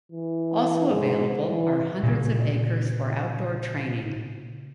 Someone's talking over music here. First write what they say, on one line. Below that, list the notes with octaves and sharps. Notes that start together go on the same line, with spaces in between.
Also available are hundreds of acres for outdoor training.
E3
G#2
E3
A#2 C#3